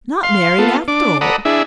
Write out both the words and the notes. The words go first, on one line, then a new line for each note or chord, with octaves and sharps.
Not married after all?'
F5 C6
B3 F4 A4
D4 D6
A4 D5 F#5 A#5 B5 D#6
D4 E4 G#4 E5